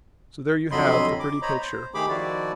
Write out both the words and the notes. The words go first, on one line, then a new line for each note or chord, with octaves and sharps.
So there you have the pretty picture.
F2 D3 F#3 D#5 B5 C6
D6
C5 C#5 D#5 A#5 B5
C5
D#3 A3 G4 G#4 B5 D6
D#3 F3 E4 F#4 D5